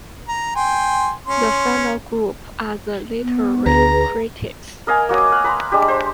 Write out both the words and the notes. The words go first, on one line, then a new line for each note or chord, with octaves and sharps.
The final group are the literary critics.
A#5
G5 G#5 C6
C#4 C6
B3
D2 G#4 B4 A#5
A#4 D#5 F5 G#5
A#3 F#4 C#5 D#5
F5 F#5
B4 A#5 C6
G#3 D4 G4
C5